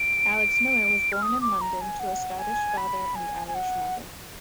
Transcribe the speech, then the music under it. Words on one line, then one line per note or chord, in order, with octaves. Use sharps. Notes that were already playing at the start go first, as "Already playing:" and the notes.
Alex Miller was born in London to a Scottish father and Irish mother.
Already playing: D7
F6
D#6
D6
A#5
G#5
F#5
G#5
B5
G#5
G#5
F#5